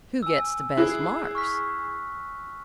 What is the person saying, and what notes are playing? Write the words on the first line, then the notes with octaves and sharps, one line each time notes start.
"Who gets the best marks?"
G#5 E6
E4 G#4 F#6
C#6 F6 B6